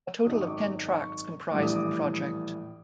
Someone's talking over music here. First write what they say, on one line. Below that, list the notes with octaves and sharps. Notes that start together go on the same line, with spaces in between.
A total of ten tracks comprised the project.
G#1 F#2 D#3 F#3 D#6
D6
C#6
D6
C#6
A#1 A2 E3 G3 D6
D#6
D6
D#6